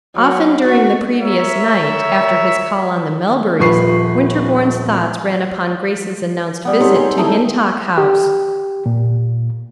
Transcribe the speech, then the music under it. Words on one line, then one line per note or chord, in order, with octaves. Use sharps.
Often during the previous night, after his call on the Melburys, Winterborne's thoughts ran upon Grace's announced visit to Hintock House.
F#3
F#4
A#4 C#5 E5
D#1 F3 B4 C#6 C7
G3 B3
C4 D#4 G#4 C#5
G5 G#5 C6
A3 D#4 E4
G4
A#2